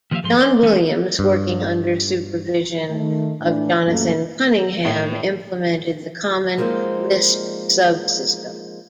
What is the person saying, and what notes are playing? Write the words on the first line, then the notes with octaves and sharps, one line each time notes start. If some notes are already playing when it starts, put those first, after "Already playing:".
John Williams, working under supervision of Jonathan Cunningham implemented the Common Lisp subsystem.
D#3 F3 A#3 G4 E5 F5
G#2 F3 C6
D5 C6
E3 G#3 A3 B3 C#4
G2
D#3 A3
A2 E3 D4
F#2 A#2 A3 A#3
A2
F3 G#3 A#3 C4 D#4